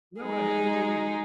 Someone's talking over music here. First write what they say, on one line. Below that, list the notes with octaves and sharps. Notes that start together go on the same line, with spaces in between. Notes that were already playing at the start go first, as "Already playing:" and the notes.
No, I hadn't really
G#3 D#4 G#4